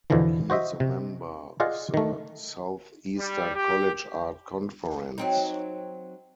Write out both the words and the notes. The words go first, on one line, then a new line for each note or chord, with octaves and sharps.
He is a member of the Southeastern College Art Conference.
E2 B2 D3 E3 F3
F#4 C5 D#5 E5
C3
F4 G#4 D5 D#5 F5 F#5
D#3 A3
G3
G4
F#3 C4 D#4